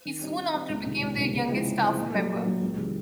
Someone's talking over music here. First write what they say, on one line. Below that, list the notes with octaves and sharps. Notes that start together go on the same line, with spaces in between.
He soon after became their youngest staff member.
D#3
G3 C4 D#4 G4
D#3
G3 C4 D#4 G4
C#2
C3 D#3
C#2
C3 D#3
C#3
F3 G#3 C4 E4
C#3
F3 G#3 C4 E4
A#2
F#3 A3
A#2
F#3 A3
C#2
C#3 E3 G3